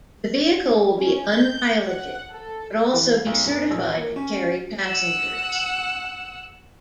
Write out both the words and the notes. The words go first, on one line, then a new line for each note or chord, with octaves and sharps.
The vehicle will be unpiloted, but also be certified to carry passengers.
C#4
G6
F#5
A4
E3
F5
B1
F#2
A#1
A#3
C#4
F#5 E6